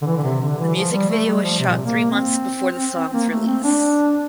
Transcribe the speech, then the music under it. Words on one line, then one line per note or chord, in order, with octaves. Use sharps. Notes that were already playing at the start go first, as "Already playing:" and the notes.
The music video was shot three months before the songs release.
D3
E3
D3
C3
D3
E3
F3
G3
A3
G3
F3
C3
A#2
C3
A#3
C4
A#3
A3
C4
D4